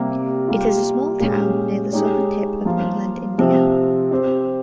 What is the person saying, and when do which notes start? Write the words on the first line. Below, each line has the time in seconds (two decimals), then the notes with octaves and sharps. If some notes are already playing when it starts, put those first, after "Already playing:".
It is a small town near the southern tip of mainland India.
Already playing: C3 G3 A#3
0.48 G3 A#3 F4
1.20 A#2 G#3 C#4 G4
1.93 G#3 D#4 G4 C#5
2.65 F3 A#3 F4
3.38 C3 F3 C4
4.11 C4 G4 C5